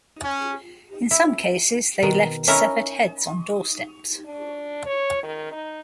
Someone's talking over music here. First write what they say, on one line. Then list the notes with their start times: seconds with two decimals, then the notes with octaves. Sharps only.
In some cases, they left severed heads on doorsteps.
0.23 C#4
1.11 E4
2.03 B2 D#3
2.48 C#4 D#4 E4 A#4 E5 A#5
4.25 D4
4.86 C#5
5.23 D#3
5.52 D#4